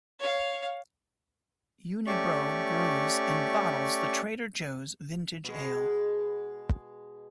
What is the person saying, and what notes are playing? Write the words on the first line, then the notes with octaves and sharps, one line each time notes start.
Unibroue brews and bottles the Trader Joe's Vintage Ale.
C#5 F5
A3 C#4 G4 D5 C#6
B2 G#3